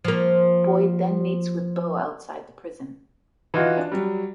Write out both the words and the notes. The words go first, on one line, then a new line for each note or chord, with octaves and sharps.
Boyd then meets with Bo outside the prison.
F3 A#3
E3 D#4 F4 F#4
D4
F#3 G3